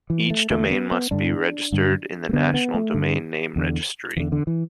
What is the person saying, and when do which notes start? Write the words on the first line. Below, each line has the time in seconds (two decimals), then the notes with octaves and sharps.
Each domain must be registered in the National Domain Name Registry.
0.10 E3
0.30 A3
0.51 E2 D3 A3
0.71 B3
0.91 B3
1.11 G2 D3 D4
1.72 G2 D3
2.29 A3
2.33 G2 D3 B3
2.54 B3
2.74 A3
2.94 G2 D3
3.56 E2 D3
4.17 E2 D3 E3
4.32 D3
4.47 E3